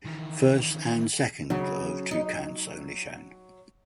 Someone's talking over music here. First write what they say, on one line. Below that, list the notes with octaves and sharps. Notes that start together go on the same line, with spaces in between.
First and second of two counts only shown.
D#3 E3
C#3 F#3
D#4